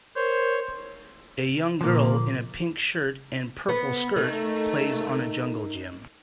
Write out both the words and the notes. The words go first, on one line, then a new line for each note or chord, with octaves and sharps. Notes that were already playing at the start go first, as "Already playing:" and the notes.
A young girl in a pink shirt and purple skirt plays on a jungle gym.
A#4 C5 C#5
A#2 D3 F3 A#3
B3
D#3 A3